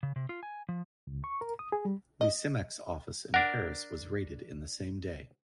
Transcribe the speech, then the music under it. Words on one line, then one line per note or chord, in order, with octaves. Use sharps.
The Simex office in Paris was raided in the same day.
C#3
C3
F4
G#5
F3
C#2
C#6
A#4
D#6
G#4
G3
D#5
D4 A#4 F#5